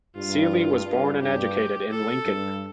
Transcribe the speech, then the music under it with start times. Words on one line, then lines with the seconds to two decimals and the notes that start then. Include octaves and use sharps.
Seely was born and educated in Lincoln.
0.16 G2 F4
0.86 G2
1.20 G2 G4
1.90 A4
2.25 G2